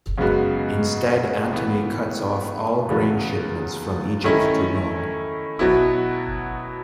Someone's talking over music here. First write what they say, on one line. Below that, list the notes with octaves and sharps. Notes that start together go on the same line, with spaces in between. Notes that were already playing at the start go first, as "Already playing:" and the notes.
Instead Antony cuts off all grain shipments from Egypt to Rome.
F#2 C#3 G#3 B3 F#4
A2 E3 B3
E2 C#3 F#3 B3 F#4
D#3 A3 C#4 E4
B2 F#3 B3 E4